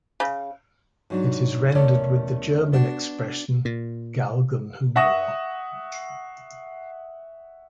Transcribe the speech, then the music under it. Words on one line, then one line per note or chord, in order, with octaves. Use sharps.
It is rendered with the German expression "Galgenhumor".
C#3
G#2 F#3 D4
E2 A3 C#4 A#4 C#5 D5
B3 D4 F#4
A#2
E5 F#5 C#6 D#6 A#6 E7